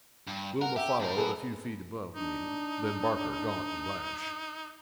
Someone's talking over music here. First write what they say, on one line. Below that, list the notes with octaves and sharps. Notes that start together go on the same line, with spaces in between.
Wilma followed a few feet above me, then Barker, Gaunt and Blash.
G2
A#4 F#5
G4 E5
F#2 A2 G3 A#4
G#4 A4 B4
D4 D#4